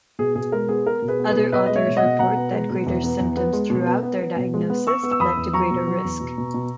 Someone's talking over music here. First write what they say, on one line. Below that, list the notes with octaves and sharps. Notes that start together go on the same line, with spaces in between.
Other authors report that greater symptoms throughout their diagnosis led to greater risk.
B2 G#4
B2 G#4
G#3 A#4
B3 G#4
B3 A#4
B2
G#4 B4
B3
G#4 B4
B2
B2 B4 D#5
G#3 D#5
C#5 E5
B2
D#5 F#5
B2
B2 F#5 A#5
B3
G#3
B2
E2
B3
E2
B3
G#3
B2
B3
B3
B3
B2
G#3
B3
B3 C#6 E6
B3
E6
E2 B5 D#6
E2
F#3 A#5 C#6
B2
F#3
E2
B2
B2
B2